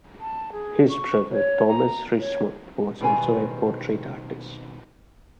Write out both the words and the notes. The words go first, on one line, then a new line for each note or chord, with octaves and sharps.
His brother Thomas Richmond was also a portrait artist.
A5
G#4
C#6
C#5
A#5
C#5
B2 D#3 G3 B3 C4 G#5